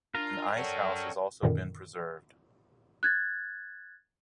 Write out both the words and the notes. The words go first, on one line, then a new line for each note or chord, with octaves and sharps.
An icehouse has also been preserved.
D4 F4 A#4 F5
C#4 A4 C#5 D5 F#5 G5
F#2 A#2 D3 D#3
F#6 G#6 A6